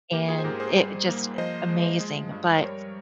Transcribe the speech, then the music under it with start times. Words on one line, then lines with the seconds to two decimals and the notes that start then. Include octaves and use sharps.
and it just i amazing, but
0.13 A#3 G4 A#4
0.28 F4 G#4
0.39 C5
0.44 G#2 G4 A#4
0.60 G#4 C5
0.76 G3
1.07 A#3
1.38 F3 C5 D#5
1.69 G#3
2.00 G#3
2.31 G2
2.57 C5
2.62 G3 A#4 C#5